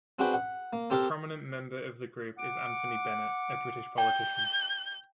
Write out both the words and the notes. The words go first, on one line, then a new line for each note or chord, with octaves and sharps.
A prominent member of the group is Anthony Bennett, a British politician.
C4 D4 F#4 G#4 B4 C5
F#5
A#3
C4 G4 A4 A#4
F#5 D6
G5 G6